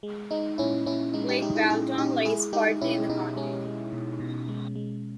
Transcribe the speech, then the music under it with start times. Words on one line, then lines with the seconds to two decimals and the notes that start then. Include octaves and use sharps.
Lake Balaton lies partly in the county.
0.03 G#3
0.31 G#3 D#4
0.58 A#2 C#4 E4
0.86 A#2 C#4 E4
1.14 G#3 D#4
1.29 D#4 G4
1.42 G#3 D#4 G4
1.55 E4 G#4
1.70 A#2 E4 G#4
1.98 A#2 D#4 G4
2.25 G#3 E4 G#4
2.53 G#3 D#4 G4
2.81 B2 C#4 E4
3.09 B2 D#4
3.37 G#3 C#4
3.65 G#3
3.93 B2
4.20 B2
4.48 G#3
4.76 G#3